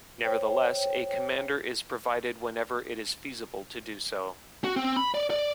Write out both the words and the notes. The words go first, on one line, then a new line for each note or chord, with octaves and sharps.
Nevertheless, a commander is provided whenever it is feasible to do so.
C5 C#5 G5
F#4
C4
B5
D5
D5